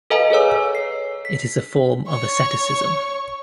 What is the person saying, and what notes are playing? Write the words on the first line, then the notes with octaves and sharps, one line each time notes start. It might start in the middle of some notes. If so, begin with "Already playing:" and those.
It is a form of asceticism.
A4 B4 D#5 F5 G#5 A#5
G#4 A4 B4 C#5 E6
C7
B6
C#5 C#6